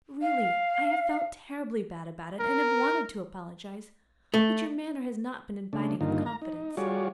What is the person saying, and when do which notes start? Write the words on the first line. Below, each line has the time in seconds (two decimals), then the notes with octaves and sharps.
Really, I have felt terribly bad about it, and have wanted to apologize, but your manner has not been inviting of confidence.
0.21 F5
2.39 A#4
4.34 A3
5.73 C#3 A3 D4
6.01 G2 D3 D#3 A#3 D#4 F4
6.26 A#5
6.42 D#4
6.77 G3 F4 F#4 G#4 C#5 D5